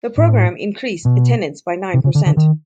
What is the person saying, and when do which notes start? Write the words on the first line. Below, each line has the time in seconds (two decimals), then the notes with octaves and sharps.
The program increased attendance by nine percent.
0.18 A2
1.05 B2
1.94 C3
2.04 C#3
2.15 D3
2.26 D3
2.37 D#3